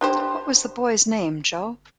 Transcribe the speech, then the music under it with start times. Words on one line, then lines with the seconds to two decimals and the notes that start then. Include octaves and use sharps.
What was the boy's name, Jo?
0.01 D4 G4 C5